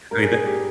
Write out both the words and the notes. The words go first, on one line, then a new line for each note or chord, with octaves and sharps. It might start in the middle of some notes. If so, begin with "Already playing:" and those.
I mean, tha
G2 A#4
G#4
G3
G#4
G4